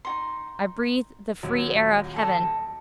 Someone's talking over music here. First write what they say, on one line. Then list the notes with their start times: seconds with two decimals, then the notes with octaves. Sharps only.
I breathed the free air of Heaven.
0.05 D#4 F#4 C6
1.43 D#1 F#3
2.16 A4 D#5